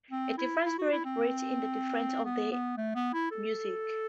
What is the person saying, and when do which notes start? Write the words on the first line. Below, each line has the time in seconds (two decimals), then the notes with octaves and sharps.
A different spirit breathes in the difference of the music.
0.11 C4
0.38 E4
0.65 E4
0.78 F#4
0.92 E4
1.05 C4
2.25 B3
2.52 B3
2.78 A3
2.95 B3
3.13 E4
3.31 A4